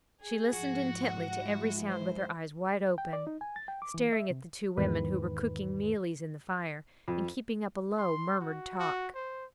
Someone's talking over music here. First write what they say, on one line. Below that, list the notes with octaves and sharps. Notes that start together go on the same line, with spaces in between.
She listened intently to every sound, with her eyes wide open, staring at the two women, who were cooking mealies in the fire, and keeping up a low, murmured talk.
G#4
G#2 F3 F#4
F#5
G#3 E4
C5
G5
D5
D#4
G#5
A6
G5
D6
E3
E5
C3
E2 G#2 D#3 B4
F2
C6
F#4
F#4
C5